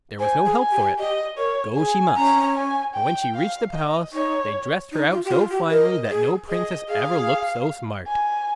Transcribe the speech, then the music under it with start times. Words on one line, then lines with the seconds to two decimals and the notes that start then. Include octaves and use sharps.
There was no help for it, go she must; and when she reached the palace, they dressed her out so finely that no princess ever looked so smart.
0.20 C5 G#5
0.46 G#4
0.59 G#5
0.72 G4
0.98 G4 D#5
1.37 A#4 C#5
1.77 G#4 G#5
2.16 C#4 A#5
2.56 G#5
2.95 G5
3.34 F5
3.74 D#5
4.13 D#4 C#5
4.92 D#4
5.12 F4
5.25 G4
5.31 F4
5.50 G4
5.70 A#4 D#5
6.10 G#4
6.49 G#4 D#5
6.88 G#4 F5
8.07 G#5